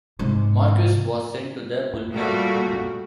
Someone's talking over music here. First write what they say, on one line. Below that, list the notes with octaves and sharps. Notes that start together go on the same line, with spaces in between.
Marquis was sent to the bullpen.
G#2 C3
A#2 G3 A3 F#4